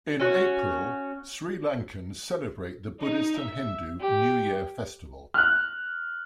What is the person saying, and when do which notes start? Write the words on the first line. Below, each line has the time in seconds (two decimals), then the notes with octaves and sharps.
In April, Sri Lankans celebrate the Buddhist and Hindu new year festival.
0.20 C#4 F#4
3.00 D#4
3.37 E5
4.00 G4
5.34 F6 F#6